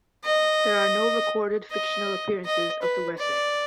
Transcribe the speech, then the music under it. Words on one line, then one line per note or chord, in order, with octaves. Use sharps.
There are no recorded fictional appearances of the Wessex.
D#5
D#5
D#5
B4
D5